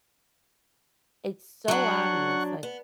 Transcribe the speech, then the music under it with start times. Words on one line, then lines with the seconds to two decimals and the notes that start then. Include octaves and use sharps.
it's so obvious, like,
1.68 F#3 D4 F#5 C#6
2.63 B3